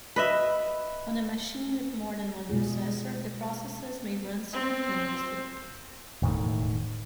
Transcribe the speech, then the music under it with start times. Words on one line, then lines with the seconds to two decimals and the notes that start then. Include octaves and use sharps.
On a machine with more than one processor, the processes may run simultaneously.
0.16 B4 D#5 E5
2.50 B2 G#3 F4 G#4
4.53 C4
6.22 E1 A2 D#3 A3